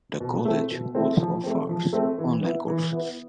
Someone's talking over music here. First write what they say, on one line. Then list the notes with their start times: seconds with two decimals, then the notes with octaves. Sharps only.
The college also offers online courses.
0.20 B2
0.45 A3 C4 E4
0.71 B2
0.95 A3 C4 E4
1.20 F3
1.44 A3 C4
1.69 F3
1.93 A3 C4
2.18 E3
2.42 B3 E4
2.68 E3
2.92 B3 E4